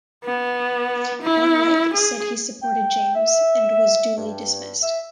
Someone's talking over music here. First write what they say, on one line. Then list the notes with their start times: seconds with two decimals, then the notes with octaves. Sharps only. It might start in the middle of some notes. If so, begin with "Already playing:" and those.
Bonwicke said he supported James and was duly dismissed.
0.25 B3
1.23 E4
1.94 G#4
2.62 G5
3.15 E5
4.17 G2
4.82 E5